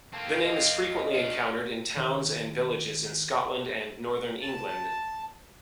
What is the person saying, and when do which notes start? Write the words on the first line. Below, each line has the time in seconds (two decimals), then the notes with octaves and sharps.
The name is frequently encountered in towns and villages in Scotland and Northern England.
0.13 D#3 A3 A#3 C4 F4 A5
0.44 D#5
1.13 D2 C#3 D4 F4
1.97 D#3
4.42 A5